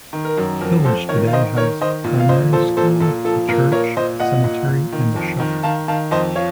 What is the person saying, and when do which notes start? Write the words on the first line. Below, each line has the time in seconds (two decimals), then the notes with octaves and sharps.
The village today has a primary school, a church, a cemetery, and a shop.
0.13 D#3
0.25 A#4
0.37 F#2
0.61 F2 A#4
0.85 F2 A4 C5
1.09 D#3 A#4 C#5
1.27 F5
1.32 D#3 C5 D#5
1.56 D#3 A#4 C#5
1.81 D#3 C5 D#5
2.04 A#2
2.19 F5
2.29 A#2 C5 D#5
2.53 F3 A4 C5
2.77 A#2 A4 C5
3.00 A#2 A4
3.24 F3 A4
3.48 A#2 A#4
3.72 A#2 A#4 C#5
3.97 A#2 C5 D#5
4.20 A#2 D#5 F#5
4.44 A#2
4.68 A#2
4.92 D#3
5.16 F2
5.40 D#3
5.63 D#3 F5 A5
5.88 D#3 F5 A5
6.11 F2 C5 D#5
6.36 F3 C#5 F5